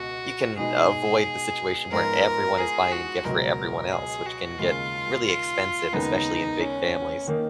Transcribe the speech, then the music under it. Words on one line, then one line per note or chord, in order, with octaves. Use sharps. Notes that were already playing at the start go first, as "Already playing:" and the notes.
you can avoid the situation where everyone is buying a gift for everyone else, which can get really expensive, especially in big families.
Already playing: C#2 B2 F#4
B2 G#3 B3 D#4 G#4
G#2 F3 B3 F4 A#4
G#4
F#4
C#2 B2 F#3 A#4
G#4
F#4
D#2 C#3 G#3 F4
F4
D#2 C#3 G#3 B3 D#4
C#4
D#3 A#3 D#4